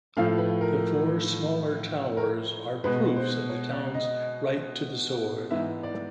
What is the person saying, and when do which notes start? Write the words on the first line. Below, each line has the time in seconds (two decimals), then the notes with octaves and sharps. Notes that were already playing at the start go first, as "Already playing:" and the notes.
The four smaller towers are proofs of the town's "Right to the sword".
0.17 A2 F3 A3 F5
0.38 B4
0.61 A#4
2.17 A#4
2.84 B2 G#3 B3 B4
3.16 C5
3.50 C#5
3.73 D5
3.95 D#5
5.51 G#2 E3 G#3 B3 E5
5.83 D5